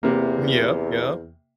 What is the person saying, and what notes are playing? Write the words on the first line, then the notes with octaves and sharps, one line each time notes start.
Mhm, yep, yep.
E2 C3 A#3